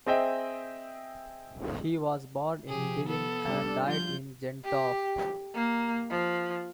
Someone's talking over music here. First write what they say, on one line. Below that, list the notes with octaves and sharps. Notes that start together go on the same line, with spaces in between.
He was born in Bellinge and died in Gentofte.
C4 G#4 D#5 E5 G5
C3 F3 G4 G#4
B3 A4
G3 D4
F3 F4 G6
G4
A#3
F3